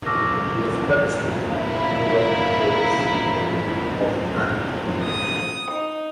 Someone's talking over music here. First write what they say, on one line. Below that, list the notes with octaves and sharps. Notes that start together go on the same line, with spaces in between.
He was previously a titular Prince of Antioch.
A5 C#6 D6 E6 F6 A#6
A#3 E4 E5
A#5
D#6
D#4